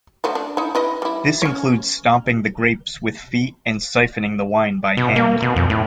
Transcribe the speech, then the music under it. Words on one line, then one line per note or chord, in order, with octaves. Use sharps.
This includes stomping the grapes with feet and siphoning the wine by hand.
F3 F#3 A3
D4
D#4 E4
E4 B4 D#5
G3 E4
C#4 C#5
B2
A#3
B2
F2
A2